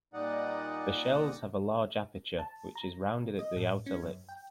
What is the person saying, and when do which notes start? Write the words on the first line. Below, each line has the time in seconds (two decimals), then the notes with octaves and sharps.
The shells have a large aperture, which is rounded at the outer lip.
0.14 A#2 G3 D#4 D5 D#5 F#5
2.39 A5
2.75 A#5
3.39 D#5
3.56 A2
3.86 C#4
4.03 F#2
4.29 G5